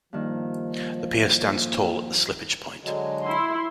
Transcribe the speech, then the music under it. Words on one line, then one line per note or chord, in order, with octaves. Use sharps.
The pier stands tall at the slippage point.
G2 D#3 F3 A#3
D3 F#3 G#3
E4 C6